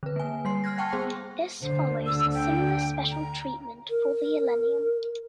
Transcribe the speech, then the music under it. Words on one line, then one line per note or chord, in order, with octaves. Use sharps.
This follows a similar special treatment for The Elenium.
D3 B4
A#3 G#5
G3 C6 C7
F6 F#6 G#6 A#6
F#5 G5 A5 C#6 F6
B3 G#4 C5 C6
D2 D3 C5
E6
G5
A#5
A#4